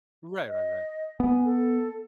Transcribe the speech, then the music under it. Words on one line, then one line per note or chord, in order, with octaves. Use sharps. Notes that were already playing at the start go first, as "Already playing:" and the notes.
Right, right, right.
D#5
B3 G#5
A4